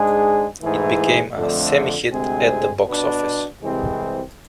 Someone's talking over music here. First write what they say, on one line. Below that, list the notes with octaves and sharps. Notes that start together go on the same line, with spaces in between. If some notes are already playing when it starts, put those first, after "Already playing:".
It became a "semi-hit" at the box office.
Already playing: G#2 G#3 D4 G#4
G#2 E3 A3 E4 G#4
F2 D3 F3 A3 D4
D2 C3 G#3 C4 G#4
B2 B3 D4
C2 C3 E3 G#3 C4